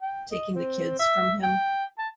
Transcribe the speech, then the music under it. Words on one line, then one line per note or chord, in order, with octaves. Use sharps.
taking the kids from him.
G5
D#5
C4
E5
G5
A5